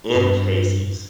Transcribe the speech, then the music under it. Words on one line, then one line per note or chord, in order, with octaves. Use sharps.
in Casey's,
G2